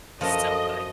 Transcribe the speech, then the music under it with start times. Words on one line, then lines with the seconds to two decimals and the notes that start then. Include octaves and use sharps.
So good.
0.21 F#2 F3 A4 A#4 D#5